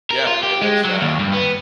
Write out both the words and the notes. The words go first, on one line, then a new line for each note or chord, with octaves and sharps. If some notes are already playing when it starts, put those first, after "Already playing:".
Yeah, and that's, um,
A#4
F4
G4
G#3
F#3
D#2
G2
B3